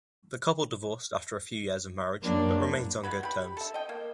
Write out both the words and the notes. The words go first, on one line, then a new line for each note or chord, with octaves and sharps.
The couple divorced after a few years of marriage, but remains on good terms.
F#2 A#3 D4
C#3 F#3 B4
G4 B5
A4 E5
D#5 G5
A#3